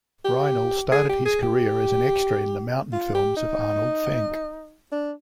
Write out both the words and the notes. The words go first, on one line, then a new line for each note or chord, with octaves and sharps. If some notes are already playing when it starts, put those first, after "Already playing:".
Reinl started his career as an extra in the mountain films of Arnold Fanck.
G4
G#4
G4
G#4
G4
F4
G4
D#4
D4